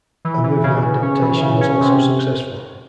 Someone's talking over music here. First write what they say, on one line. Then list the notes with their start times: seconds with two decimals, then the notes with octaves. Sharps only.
A movie adaptation was also successful.
0.25 E3
0.44 E3
0.64 C#3
0.83 C#3
1.02 C#4
1.22 E3
1.41 C#3
1.61 C#4
1.80 C3